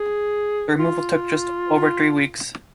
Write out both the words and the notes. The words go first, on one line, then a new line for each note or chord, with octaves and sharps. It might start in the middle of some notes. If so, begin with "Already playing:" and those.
The removal took just over three weeks.
Already playing: G#4
F4